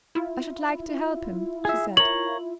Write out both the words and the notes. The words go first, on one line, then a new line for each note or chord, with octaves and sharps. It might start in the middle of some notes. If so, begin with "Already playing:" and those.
'I should like to help him,' she said.
E4 F4
G#4 E5
A#4 C#5 F#7